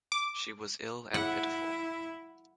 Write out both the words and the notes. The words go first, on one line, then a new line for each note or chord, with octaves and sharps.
She was ill and pitiful.
D6
E4 F#5